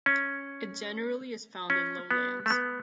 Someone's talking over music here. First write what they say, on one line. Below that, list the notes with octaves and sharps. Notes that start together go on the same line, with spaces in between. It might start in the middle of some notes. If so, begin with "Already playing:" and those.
It generally is found in lowlands.
C#4
C#4
B3
A3
B3